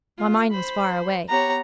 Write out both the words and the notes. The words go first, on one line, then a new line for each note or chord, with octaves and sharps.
My mind was far away.
F4
C5 B5
B3 G4 C#5 A#5